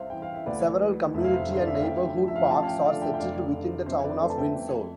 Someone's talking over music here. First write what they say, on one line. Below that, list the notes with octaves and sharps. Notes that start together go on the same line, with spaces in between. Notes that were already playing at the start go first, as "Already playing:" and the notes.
Several community and neighborhood parks are settled within the Town of Windsor.
Already playing: C2 C5 E5 F5
E3 G5
F5
E5
D2 B4 D5
E3
F1 E5
F5
C5 E5
D3 C5
D5
E5
F5
A1 E5 G5
F3
E5
F5
G5
A1 F5 A5
F5
E5 G5
G5
D3 D5 F5
E5 G5
G5
F1 D5 F5
D3
F2 C5 E5
B4 D5
A3 A4 C5
A5
E5 G5
F2